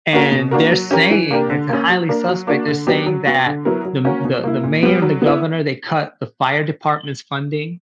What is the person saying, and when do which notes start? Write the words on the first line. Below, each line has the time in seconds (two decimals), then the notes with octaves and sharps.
and they're saying it's a highly suspect they're saying that the m the the mayor, and the governor, they cut the fire department's funding,
0.13 A#3 C#4 F#4 A#4
0.32 B2
0.51 A#3 D4 F#4 A#4
0.71 F#3
0.91 C#4 G4 A#4
1.11 E3
1.31 A#3 D4 G4 A#4
1.50 D3
1.69 A#3 C#4
1.89 F#3
2.09 A#3 D4 A#4
2.28 F#3
2.47 A#3 D4 F#4
2.68 D3
2.87 F#3 B3 D4 G4
3.06 F#3
3.26 B3 F#4
3.46 D3
3.65 F#3 B3 E4 A#4
3.85 F#3
4.05 A#3 C#4 F#4 A#4
4.25 B2
4.44 A#3 E4
4.64 A#2
4.83 G3 B3
5.02 F#3
5.22 B3 E4